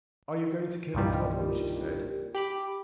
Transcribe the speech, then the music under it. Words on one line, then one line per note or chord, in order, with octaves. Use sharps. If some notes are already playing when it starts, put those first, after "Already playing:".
"Are you going to Killancodlem?" she said.
C2 G2 A#2 D#3 G3
G4 B5 D6